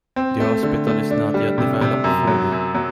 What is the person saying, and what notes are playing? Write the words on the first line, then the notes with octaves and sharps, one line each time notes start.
The hospital is not yet developed fully.
C4
A3
D3
A3
D4
G3
C3
C3
F#2
F#3
F#2
F#3